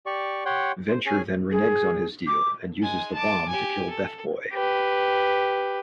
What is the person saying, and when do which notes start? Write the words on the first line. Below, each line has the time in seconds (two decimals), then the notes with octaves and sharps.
Venture then reneges on his deal and uses the bomb to kill Deathboy.
0.06 G4 D5 C#6
0.46 G4 C#5 F#5 G5 C6
0.88 C5
1.06 C#4 G#4 G#5
1.52 G#4
2.27 D6
2.82 G#3 G#5
3.14 A5 D6
3.48 G4 G#5
3.89 A4
4.53 G4 B4